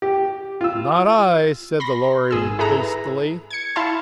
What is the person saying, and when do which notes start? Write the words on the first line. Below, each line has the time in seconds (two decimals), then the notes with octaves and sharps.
'Not I!' said the Lory hastily.
0.02 G4
0.61 F4 E6
1.80 B5 C6 A#6
2.31 G#1 G#4 E6
2.59 E4 G#4 A4 B4 A#5
3.50 G#6 C#7
3.76 E4 E5 F5 A5 C6